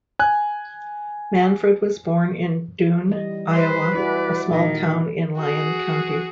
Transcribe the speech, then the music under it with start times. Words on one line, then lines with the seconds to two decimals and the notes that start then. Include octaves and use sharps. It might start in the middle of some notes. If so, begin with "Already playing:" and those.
Manfred was born in Doon, Iowa, a small town in Lyon County.
0.19 G#5 F#6
3.08 E3 G3 D#5
3.52 B4 C5
3.95 E4 F#4 G#4 D5
4.51 A#2 D#3 D#5
5.37 F#4 G#4